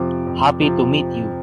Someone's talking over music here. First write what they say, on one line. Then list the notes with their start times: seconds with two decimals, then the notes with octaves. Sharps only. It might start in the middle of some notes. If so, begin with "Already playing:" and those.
Happy to meet you.
Already playing: F2 C3 F3 D6
0.27 F2
0.61 C3 F3